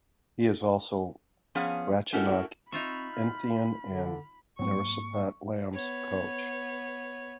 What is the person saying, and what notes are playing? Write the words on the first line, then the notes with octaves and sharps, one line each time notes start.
He is also Ratchanok Inthanon and Narissapat Lam's coach.
F3 B3 C#4 G#4 F5
A3 C#4 E4 F#4 A4 A#4
C4 D#4 F4 E5 B5 C#6
F6
D3
G#2 F#3 A#3 C4 C#6
B3 C#5